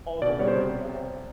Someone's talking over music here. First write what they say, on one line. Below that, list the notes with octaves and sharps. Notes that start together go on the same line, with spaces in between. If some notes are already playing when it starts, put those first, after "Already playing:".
all the way to the end,
B2 D5
G3 B3 C#5
C5
C3